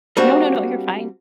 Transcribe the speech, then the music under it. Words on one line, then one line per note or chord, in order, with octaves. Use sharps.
No, no, no, you're fine.
G3 A#3 C4 D4 F#4